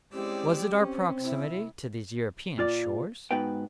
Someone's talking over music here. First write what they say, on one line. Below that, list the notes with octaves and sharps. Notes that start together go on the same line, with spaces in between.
Was it our proximity to these European shores?
G#3 C4 C#4 E4 G4 D5 E6
C4 C#4
C3 E4
A#2 F4 D5
G#2 B3 D#4 F#4 B4 G5